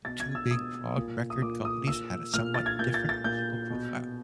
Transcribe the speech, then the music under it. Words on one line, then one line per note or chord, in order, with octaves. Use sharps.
The two big progg record companies had a somewhat different musical profile.
B2 A6
G#6
E6
B2 D#6
A#2
D#6
A#2 D6
D#6
A#2 E6
A#2 F6
A6
G#6
A#2 G6
A6
A6
A#2 G6
B2